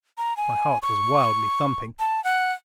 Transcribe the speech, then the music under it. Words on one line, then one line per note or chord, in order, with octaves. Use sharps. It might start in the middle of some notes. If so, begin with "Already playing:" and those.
My heart was wildly thumping.
A#5
G#5
C#6
A5
F#5